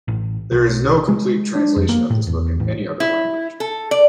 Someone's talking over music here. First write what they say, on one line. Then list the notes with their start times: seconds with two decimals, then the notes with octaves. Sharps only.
There is no complete translation of this book in any other language.
0.08 A1
0.51 B1
1.09 G#3
1.55 D4
1.76 F2
1.89 A#3
2.10 A2
2.27 E2
2.60 A1
3.00 E4
3.60 A4
3.91 D5